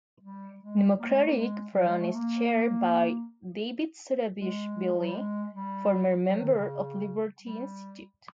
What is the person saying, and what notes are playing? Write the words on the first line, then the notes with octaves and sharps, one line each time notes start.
Democratic Front is chaired by David Zurabishvili, former member of Liberty Institute.
G3
G#3
A#3
G#3
A3
A#3
G#3
F#3
G#3
A3
A#3
G#3
F3
F#3
G3
G#3
G3
F#3
D#3
C#3
G3